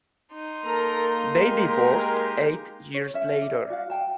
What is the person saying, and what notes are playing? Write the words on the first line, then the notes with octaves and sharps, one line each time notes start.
They divorced eight years later.
D#4 C6
A#3 A4 A#4 A#5
G#3 G4 A#4
C#5
C#4 E5
D5
F#4 F5
F#5 G5 A5